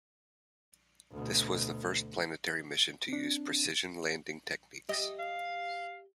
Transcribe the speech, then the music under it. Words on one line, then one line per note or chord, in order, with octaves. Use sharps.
This was the first planetary mission to use precision landing techniques.
D2 B2
C4 D4
G4 D#5
F5